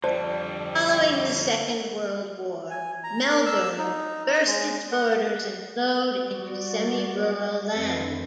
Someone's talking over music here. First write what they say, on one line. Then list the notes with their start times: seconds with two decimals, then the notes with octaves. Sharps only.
Following the Second World War, Melbourne burst its borders and flowed into semi-rural land.
0.04 F2 D3 G3 C5 D5 A5
2.70 G#5
3.04 A#5
3.29 A#4
3.46 E6
3.79 D#4
4.46 G#3
4.91 F#5
6.25 G3 F#4 D5
7.72 F2 C4 B4